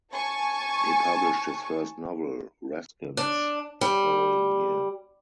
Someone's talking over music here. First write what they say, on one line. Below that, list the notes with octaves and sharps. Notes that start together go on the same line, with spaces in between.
He published his first novel "Raskens" the following year.
G#5 A5 C#6
D4
G3